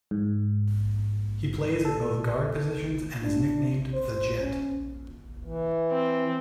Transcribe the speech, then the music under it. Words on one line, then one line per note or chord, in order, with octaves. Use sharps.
He plays at both guard positions and is nicknamed "The Jet".
G#2
A4
D4
C5
C#4
E3
C4